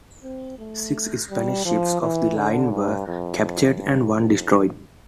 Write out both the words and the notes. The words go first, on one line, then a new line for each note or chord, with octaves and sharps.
Six Spanish ships of the line were captured and one destroyed.
C4
A3
G3
F3
E3
D3
G2
F2
F2
G2
F2